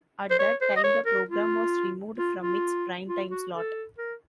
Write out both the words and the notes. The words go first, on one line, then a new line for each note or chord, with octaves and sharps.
At that time the program was removed from its prime-time slot.
C5
C#5
C5
D#5
C#5
A#4
F4
F4
F4
F4
F#4
A4
A#4